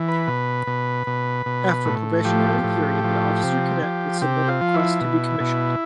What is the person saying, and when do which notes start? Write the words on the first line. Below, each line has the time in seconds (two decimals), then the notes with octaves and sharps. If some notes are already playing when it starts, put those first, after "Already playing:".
After a probationary period the officer cadet would submit a request to be commissioned.
Already playing: E3
0.08 B4
0.28 B2
0.67 B2
1.07 B2
1.46 B2
1.85 A2
2.25 F3 G4
2.64 A2
3.04 F3
3.43 C3
3.83 F3
4.22 C3 G4
4.48 F4
4.61 F3
4.74 E4
5.01 B2
5.40 B2